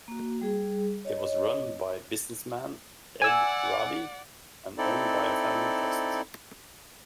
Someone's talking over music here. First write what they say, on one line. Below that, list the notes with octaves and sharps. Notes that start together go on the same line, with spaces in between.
It was run by businessman Ed Raabe and owned by a family trust.
A#3 F#4
G3 G#4
C#5 D#5
D5 F#5 G#5 E6
C4 D#4 E4 A4 D5